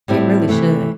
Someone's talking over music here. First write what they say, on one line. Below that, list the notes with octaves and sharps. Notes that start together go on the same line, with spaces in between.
It really should.
A2 G3 C4 E4
C3 E3 A3